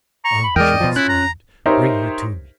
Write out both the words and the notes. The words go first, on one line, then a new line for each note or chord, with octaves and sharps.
"Oh!" she exclaimed, "bring her to me!"
A#5 C#6
B5
E2 G#3 A#4 D5 D#5 G5
B2 F3 F4
C#4 E4 F#6
A#5
D#4 G4 A#4 C5 C#5 E5